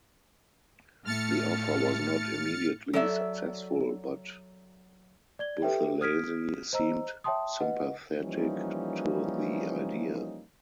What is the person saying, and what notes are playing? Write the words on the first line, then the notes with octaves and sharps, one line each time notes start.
The offer was not immediately successful, but Buthelezi seemed sympathetic to the idea.
A2 A3 F6 A6 C#7
F#3 A4 D5 E5
D5 G#6 G7
G4 A4 B4 C#5 E5 G5
D#6 F6 G#6 B6 D7
C5 D#5 A#5 E6
C#5 E5 G5 A5 C6 D#6
B4 D#5 F#5
E3 F3 G3 A#3 C#4 D#4